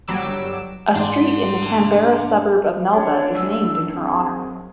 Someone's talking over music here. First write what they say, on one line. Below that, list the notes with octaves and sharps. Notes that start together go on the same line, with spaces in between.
A street in the Canberra suburb of Melba is named in her honour.
G1 F#3 G3 D6 E6
G#2 D4 D5 C6
C#4 D4 C#5
F#2 E6
C4 G#4